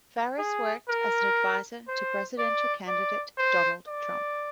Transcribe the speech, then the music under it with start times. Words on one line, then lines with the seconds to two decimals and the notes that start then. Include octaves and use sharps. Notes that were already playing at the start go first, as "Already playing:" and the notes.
Phares worked as an advisor to presidential candidate Donald Trump.
0.38 G#4
0.88 A#4
1.88 C5
2.38 D5
2.88 D5
3.38 C5
3.87 D5